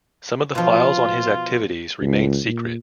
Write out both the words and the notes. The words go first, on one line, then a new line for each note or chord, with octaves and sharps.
Some of the files on his activities remain secret.
B2 F3 F4
C#2
A#2